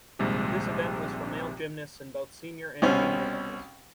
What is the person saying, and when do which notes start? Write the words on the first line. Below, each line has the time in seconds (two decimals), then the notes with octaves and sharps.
This event was for male gymnasts in both senior and junior levels.
0.19 A#1 D#2 G#2 C3 G3 G#3
2.82 C2 B2 C4 C#4